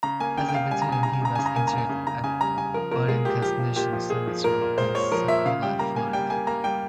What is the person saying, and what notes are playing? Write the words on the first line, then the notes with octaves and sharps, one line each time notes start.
As a veteran he was interred at Barrancas National Cemetery in Pensacola, Florida.
C#3 A#5
A#3 G#5
C#3 G5
G5
C#3 F5
G3 G#5
A#5
C#3 G#5
C#3 A#5
G#5
C#3 A#5
C#3 G#5
A#5
A#3 G#5
A#5
C#3 G#5
C#3
C#3 A#5
C#3 G#5
G3 A#5
C#3 G#5
F3 A#4
A#2 A#4
G#3 G#4
A#2 G4
F3 G4
F3
A#2 G4
F3
A#2 G#4
F3
A#2 A#4
A#2
G#3 C5
A#2 C#5
F3 A#4
A#2 E5
C#3 F5
G3 G5
A#3 A#5
A#3 G#5
G3 G5
A#3 G#5
A#3 A#5
G3 G5